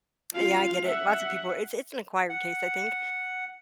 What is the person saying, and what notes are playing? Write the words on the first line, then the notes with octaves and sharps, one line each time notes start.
Yeah, I get it. Lots of people it's it's an acquired taste, I think.
F4 F5
E5 F#5
F#5